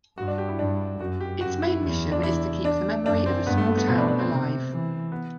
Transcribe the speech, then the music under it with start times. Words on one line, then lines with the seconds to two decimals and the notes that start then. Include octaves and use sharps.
Its main mission is to keep the memory of a small town alive.
0.18 G2 F#4
0.28 D4
0.38 G4
0.48 E4
0.59 G2 D4
0.99 F#2 F#4
1.20 G4
1.41 F#2 F#4
1.62 E4
1.82 E2
2.12 D4
2.23 E4
2.65 D4
3.05 F#2 D4
3.26 C4
3.46 G2 B3
3.57 A3
3.68 A3
3.77 B3
3.87 B2 C4
3.98 D4
4.09 D4
4.19 C4
4.29 C3
4.71 E3
5.12 B3